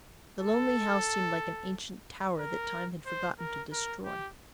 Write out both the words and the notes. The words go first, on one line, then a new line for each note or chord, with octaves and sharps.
The lonely house seemed like an ancient tower that time had forgotten to destroy.
A4
A#4
C5
A#4
A#4
G4